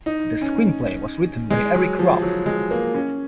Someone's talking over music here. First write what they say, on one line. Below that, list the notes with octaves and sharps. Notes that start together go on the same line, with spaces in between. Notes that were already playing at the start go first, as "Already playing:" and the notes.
The screenplay was written by Eric Roth.
D#4
C#4
G#3
F#3
F3
F#3
G#3
A#3
C#4